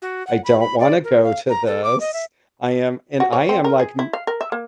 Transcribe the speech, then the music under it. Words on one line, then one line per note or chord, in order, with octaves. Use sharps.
I don't wanna go to this." I am and I am, like, m
F#4
F#5
B5
B5
D5
A#4
F5
A#5
A4
D6
D#5
E5
F#4
C#5
C4
A#4
G#4
E4
F5
A#4
E5
A#3